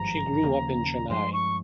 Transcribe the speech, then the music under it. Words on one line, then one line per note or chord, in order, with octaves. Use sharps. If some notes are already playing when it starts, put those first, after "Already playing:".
She grew up in Chennai.
Already playing: G#1 G2 F3 G#3 A#5
D#2 C#3 F3 A#3
G2 F3 G#3 C6
C#6